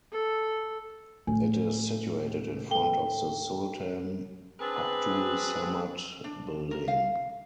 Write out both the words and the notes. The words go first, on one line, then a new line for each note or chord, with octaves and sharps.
It is situated in front of the Sultan Abdul Samad Building.
A4
A2 G#5
A4 G5 G7
C4 D4 G#4 B4
D4
A#4
F5